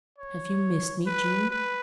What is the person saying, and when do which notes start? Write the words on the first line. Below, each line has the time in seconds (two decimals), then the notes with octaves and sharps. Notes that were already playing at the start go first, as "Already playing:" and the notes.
"Have you missed me, June?"
0.18 C#5
1.06 B4
1.51 B4